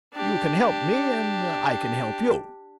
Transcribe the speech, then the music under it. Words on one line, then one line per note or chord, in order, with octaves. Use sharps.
You can help me and I can help you.
D4 G4